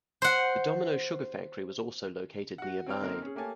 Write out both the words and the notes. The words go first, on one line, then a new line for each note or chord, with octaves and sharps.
The Domino Sugar factory was also located nearby.
C5 F#5
F#4 F#5
C4 C#5 G5 F6
D3 A#3 C4 D#4 A#4
C#4 G#4
A3 A#3 G4 C#5 G#5 A5